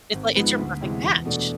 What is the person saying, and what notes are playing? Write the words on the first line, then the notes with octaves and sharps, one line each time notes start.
It's like it's your perfect match!
G#1
G#2 F3 G#3 B3
D2
C3 E3 G#3
E2
B2 A3 D4